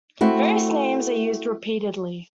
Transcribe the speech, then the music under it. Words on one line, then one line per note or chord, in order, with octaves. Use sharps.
Various names are used repeatedly.
A3 C4 E4 F#4